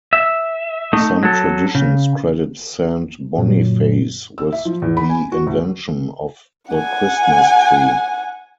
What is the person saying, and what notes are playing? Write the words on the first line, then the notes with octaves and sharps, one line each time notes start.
Some traditions credit Saint Boniface with the invention of the Christmas tree.
E5
A3 D#4
F#3 A4
C#3
F#2 A#2 D3 F#3
E6
E5
F3
E2
B5
G#5
F#4
D2
F#5 G#5